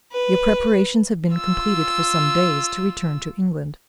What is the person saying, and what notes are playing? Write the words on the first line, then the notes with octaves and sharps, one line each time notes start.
Your preparations have been completed for some days, to return to England.
B4
F4 E6